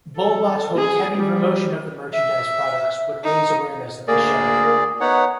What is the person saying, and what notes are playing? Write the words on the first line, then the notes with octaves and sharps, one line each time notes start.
Bohbot hoped heavy promotion of the merchandise products would raise awareness of the show.
A4
G#4
G3
E5
D#4
D2 A#3 G#4 D5
B3 D#4 C#5 F#5